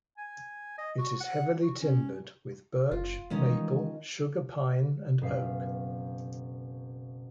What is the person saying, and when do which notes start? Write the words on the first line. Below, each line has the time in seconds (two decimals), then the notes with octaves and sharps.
It is heavily timbered with Birch, Maple, Sugar Pine and Oak.
0.18 G#5
0.78 D#5
0.98 F#4
1.21 F#5
1.62 F#4
1.81 C#4
2.91 F#1 F4
3.30 D#3 E3 G3 G#3 C#4 D#4
5.21 F#1 F#2 B2 C4 E5 F5